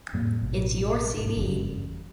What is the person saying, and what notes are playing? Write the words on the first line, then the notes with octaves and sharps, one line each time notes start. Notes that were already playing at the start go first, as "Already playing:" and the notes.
It’s your CD.
F2 A2 G3 A#3
A1 B2
D1 B1 G#2
F#1 E2 G2 C#3